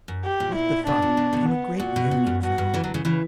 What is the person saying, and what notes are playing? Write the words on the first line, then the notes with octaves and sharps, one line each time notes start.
With the thought came a great yearning for home.
F#2
G4
A#2
E4
B2 D4
A#2
B2
B2 D3
B3
A#2 F#4
B2
A#2
F#2
G2 F#4
G2
C#3 E3
D3 F#3
C#3 E3
C#3 E3